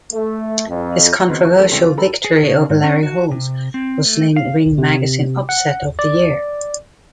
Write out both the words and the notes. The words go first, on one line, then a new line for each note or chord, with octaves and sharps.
His controversial victory over Larry Holmes was named Ring Magazine Upset of the Year.
A3
F2
D#2 C#3 B3 C4 D#4 F#4
A1 C#6
F3 G#3 A3 D4
C#2 G3 C4 E4 A4
F4
G2 A4 A#5 B5
G#4
C#3
G#2
C#4
F#4
C3
C4
A3
F5
C3
F#5
D5